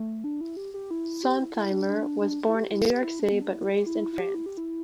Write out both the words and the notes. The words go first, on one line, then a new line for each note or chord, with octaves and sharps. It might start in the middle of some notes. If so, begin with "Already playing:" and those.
Sontheimer was born in New York City but raised in France.
Already playing: A3
D4
E4
G4
G4
E4
G4
E4
E4
D4
D4
D4
E4
G4
E4
G4
E4
D4
B3
D4
E4
G4
E4
E4
G4
E4
G4
E4